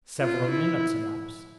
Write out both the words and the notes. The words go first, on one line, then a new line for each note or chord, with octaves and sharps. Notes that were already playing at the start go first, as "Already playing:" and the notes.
Several minutes elapsed.
F4
E4